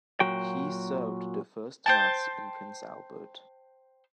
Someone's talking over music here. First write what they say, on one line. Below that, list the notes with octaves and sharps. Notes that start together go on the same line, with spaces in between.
He served the first mass in Prince Albert.
A#2 F#3 F#4 G5
C5 G5 A5